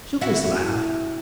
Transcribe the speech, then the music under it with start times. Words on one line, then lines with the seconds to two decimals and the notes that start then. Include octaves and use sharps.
She'll just laugh.
0.21 E4 F#4